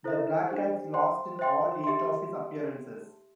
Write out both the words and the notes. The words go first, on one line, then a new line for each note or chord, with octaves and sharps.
The Black Cats lost in all eight of his appearances.
E4 A4 C5 E5
D4 G4 C5
C5 G5 C6
C5 E5 G5 C6
G4 E5 C6